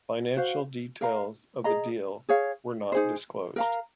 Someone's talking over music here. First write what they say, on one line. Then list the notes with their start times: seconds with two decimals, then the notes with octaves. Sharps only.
Financial details of the deal were not disclosed.
0.37 F#4 C5 F5
1.01 A#4 F5 A#5
1.64 G#4 D#5 A#5
2.29 G#4 C#5 F5
2.92 D#4 G#4 C5
3.56 A#4 F5 A#5